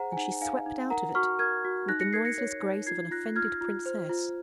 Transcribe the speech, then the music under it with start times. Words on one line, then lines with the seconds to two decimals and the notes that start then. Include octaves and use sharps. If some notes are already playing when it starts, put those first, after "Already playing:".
And she swept out of it with the noiseless grace of an offended princess.
Already playing: G#4 C5 F#5 A#5
0.12 G#5
0.17 D#4 F#5
0.41 D#4 F5 G#5
0.66 D#4
0.90 A#4 F#5 A#5
1.15 F#4 C#6 F6
1.39 A#4 F6 G#6
1.65 F#4
1.88 D#4 F#6 A#6
2.00 A#6 C#7
2.13 A#4 G#6 C7
2.25 A#6 C#7
2.38 C#5
2.62 D#4
2.86 F4 G#6 C7
3.11 F4 F#6 A#6
3.36 F4 F6 G#6
3.61 F4
3.86 C5
4.09 F4